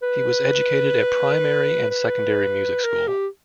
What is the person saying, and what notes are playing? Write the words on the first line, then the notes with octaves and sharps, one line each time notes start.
He was educated at Primary and Secondary Music School.
B4
B4
A#4
G4